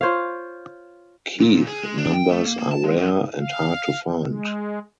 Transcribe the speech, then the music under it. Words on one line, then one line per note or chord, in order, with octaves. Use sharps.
Keith numbers are rare and hard to find.
F4 C5 C#5 F5
A#2
A#2
G#4
G#3
D4
G5
A3
A#3
A#3
A5
G#3
F2
F5
G#3